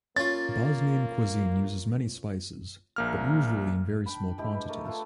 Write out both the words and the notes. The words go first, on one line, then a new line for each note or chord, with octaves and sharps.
Bosnian cuisine uses many spices, but usually in very small quantities.
A#3 C#4 F4 A6
A#1 A#3 F6
D4 G5 B5
G#3 E4 G4
B4
A3 A#4
D4 E4 F4 A4